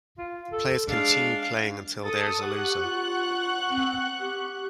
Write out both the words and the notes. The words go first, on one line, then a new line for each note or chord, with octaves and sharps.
The players continue playing until there is a loser.
F4
A4
G#3 D4 F5
A4 D#6 A6
G4 F#5 C#6 F#6
F4
C4
G4